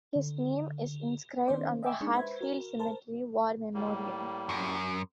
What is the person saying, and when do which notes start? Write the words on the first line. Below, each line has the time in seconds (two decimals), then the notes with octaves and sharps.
His name is inscribed on the Hatfield Cemetery War Memorial.
0.16 D3
1.47 D#3 B3 C#4 C5 D5
1.83 D#5 E5 G5 G#5 D6 E6
2.01 G#3 D4 D#4 G#4 C#6
2.15 B4 C5 E5 B5 G#6
2.41 F#4 A#4
2.79 A#4 C5 A5
3.74 A2 G3 A#3
4.49 F#2